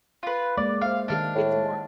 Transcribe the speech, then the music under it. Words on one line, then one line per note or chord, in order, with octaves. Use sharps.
it's it's more
F4 B4
G#3 A#3 D5
C5 E5 F5
D#3 D4 D#5 F5
A2